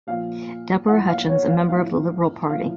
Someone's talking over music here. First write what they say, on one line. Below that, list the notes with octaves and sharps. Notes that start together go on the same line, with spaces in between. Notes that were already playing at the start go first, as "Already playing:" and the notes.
Deborah Hutchens, a member of the Liberal Party.
A#2 F3 F5
A2 F3 F#5
F5
C#5
F5
A2 F3 F5
F3 F5
A2